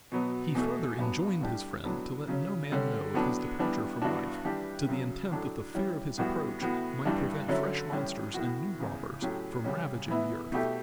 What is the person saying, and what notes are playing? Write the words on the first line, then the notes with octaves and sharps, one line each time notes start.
He further enjoined his friend to let no man know of his departure from life, to the intent that the fear of his approach might prevent fresh monsters and new robbers from ravaging the earth.
B2 F#3 B3
E2 B2 A3
G2 F#3 B3 D4
A2 G3 D4 G4
A2 F#3 B3 D4
C#3 F#3 C#4
D3 G3 C#4
A2 F#3 B3 D4
E3 G3 B3 D4
G2 E3 B3 D4 F#4
E3 G3 D4 G4
F#2 C#3 F#3
A2 F#3 A3 D4
E3 G3 C#4
A2 E3 G3 B3 F#4
A2 E3 B3 F#4
G2 E3 G3 D4
D3 F#3 C#4 E4
A2 E3 G3 C#4
A2 E3 B3 F#4
E2 C#3 E3
A2 F#3 A3 C#4 G4
F#2 C#3 G3 C#4
E3 B3 E4
B2 A3 E4 G4